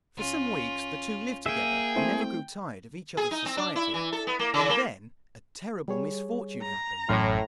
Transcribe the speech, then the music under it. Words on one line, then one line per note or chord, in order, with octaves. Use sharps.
For some weeks the two lived together and never grew tired of each other's society, and then a terrible misfortune happened.
C#2 C#4 F4
A#3 G#4 E5 G5
A3 C4 E4
G#4
D#4
C4
D4
E4
E3
A4
B3
A#3
C#3
A#3
G3 G#4 C#5
A#5
A1 F#2 A2 C#5 B5 C6 F6